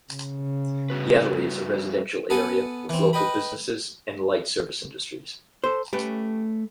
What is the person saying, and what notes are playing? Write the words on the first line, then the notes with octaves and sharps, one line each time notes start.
Yateley is a residential area with local businesses and light service industries.
C#3
G2 F#4 B4
B3 A4 F#5 G#5
E3 C4
B4 D#5 G5 B5
A4 C5
A3 C#4 G4 B4